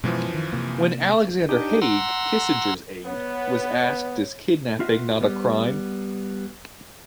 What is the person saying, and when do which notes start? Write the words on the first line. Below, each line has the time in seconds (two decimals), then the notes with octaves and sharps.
When Alexander Haig, Kissinger's aide, was asked is kidnapping not a crime?
0.04 F#2 B2 E3 F3 G#3
0.34 D#3
0.53 C3 A#3
1.49 D4 D#4 G4
1.81 F#5 A#5 C6 E6
3.05 B3 C#5
4.80 F4 F#4 E5
5.21 G3 B3